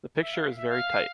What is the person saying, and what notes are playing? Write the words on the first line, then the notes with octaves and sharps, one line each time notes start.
The picture is very tight.
E5
F5
E5
F5